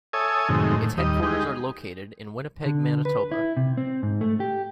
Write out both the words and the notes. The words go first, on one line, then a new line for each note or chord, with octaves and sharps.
Its headquarters are located in Winnipeg Manitoba.
A4 C#5 E5 G#5 D#6
F#2 A2 C3 D#3 G#3
A2
D#2 G3 D#5
G#3 D#4 G4
D3
B4
E4
C3
C4
G#2
A3
G4